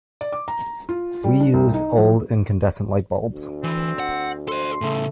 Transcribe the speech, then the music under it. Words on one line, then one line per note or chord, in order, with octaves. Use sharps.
We use old incandescent light bulbs.
D5
D6
A#5
F4
G3
D4
C2
D#4
F3
D2
E3 C4
F#5
A4 C5 C6
A2 C#3 A3